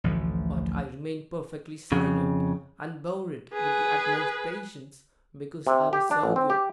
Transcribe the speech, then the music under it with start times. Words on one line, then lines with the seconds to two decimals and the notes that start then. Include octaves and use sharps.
But I remained perfectly silent, and bore it with the utmost patience, because I was so good.
0.04 A1 D2 E3 F3
1.92 F2 C#3
3.53 G#4 B4
5.67 C3
5.93 G4
6.11 D4
6.23 A1
6.36 C4
6.50 G4